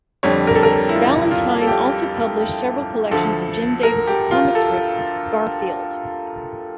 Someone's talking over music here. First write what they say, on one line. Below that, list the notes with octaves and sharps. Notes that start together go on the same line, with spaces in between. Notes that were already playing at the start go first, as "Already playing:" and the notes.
Ballantine also published several collections of Jim Davis' comic strip "Garfield".
F2 D3 G3 C#5
A#4
A4
A#4
E4
F4
F4
A4
G4
D2 D3 F3 A4
A#4
G4
F4
A4